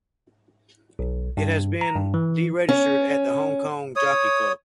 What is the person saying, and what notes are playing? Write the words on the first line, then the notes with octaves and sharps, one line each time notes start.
It has been deregistered at the Hong Kong Jockey Club.
B1
G2
A#5
G2
E3
C#4
C#5 D#6